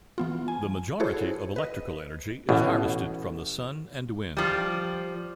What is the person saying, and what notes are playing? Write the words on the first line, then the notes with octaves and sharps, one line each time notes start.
The majority of electrical energy is harvested from the sun and wind.
E3 B3 F4
G#5
E4 F#4 G#4 A4 C5 C#5
B4 D#5
A1 B2
F3 G3